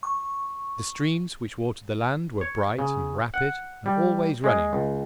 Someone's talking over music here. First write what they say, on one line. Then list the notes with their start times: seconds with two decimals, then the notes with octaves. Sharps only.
The streams which watered the land were bright and rapid, and always running.
0.03 C#6
2.41 C#5
2.79 C#3
3.34 F#5
3.86 G3
4.44 G#3
4.73 C#2